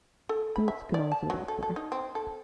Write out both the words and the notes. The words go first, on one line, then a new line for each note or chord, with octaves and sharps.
Boats can also dock there.
A4
B5
E5
D5
A5
F#3
A4
A4
D#4
C4
A4